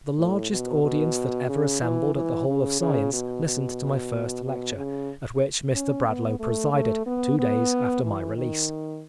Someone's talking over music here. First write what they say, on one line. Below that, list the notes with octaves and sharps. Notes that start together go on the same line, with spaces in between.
The largest audience that ever assembled at the Hall of Science listened to my first lecture, at which Mr. Bradlaugh presided, two days after my release.
A2
B2
B2
C#3
E3
E3
C#3
C#3
B2
B2
B2
C#3
C#4
B3
A3
A3
B3
B3
E3
D#3